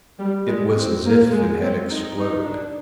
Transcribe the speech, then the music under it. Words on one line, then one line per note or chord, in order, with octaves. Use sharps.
It was as if it had exploded.
G3
G#3
C4
A#3
G#3
C4
D#4
D#4
D4